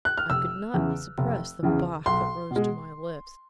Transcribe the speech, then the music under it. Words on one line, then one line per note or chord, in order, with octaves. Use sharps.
I could not suppress the "bah!" that rose to my lips.
F#6
F6
F1 E6
E2 C#3 E3
F1
E2 C#3 E3
B1 C6
B2
G#3